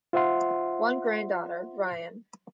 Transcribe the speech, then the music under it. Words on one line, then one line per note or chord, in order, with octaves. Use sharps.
One granddaughter, Ryan.
F4 C5 E5 F#5 C6